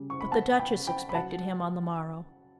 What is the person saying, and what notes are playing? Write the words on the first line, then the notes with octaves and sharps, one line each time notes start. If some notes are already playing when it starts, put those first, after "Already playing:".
But the Duchess expected him on the morrow.
Already playing: C#3 G3
C#6
B5
B3 F#5 A5
G5 B5
C#3
G5 B5
B5
F#3 F#5 A5